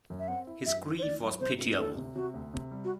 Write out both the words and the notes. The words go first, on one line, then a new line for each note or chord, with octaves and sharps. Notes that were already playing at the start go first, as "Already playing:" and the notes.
His grief was pitiable.
F#2
E5
C4 F#5
E4
F#2 E5
E4
C5
D2 D5
F#3
C3 C5
B3
D2 A4
C3
C3 F#4
D2
C3
G3
F#4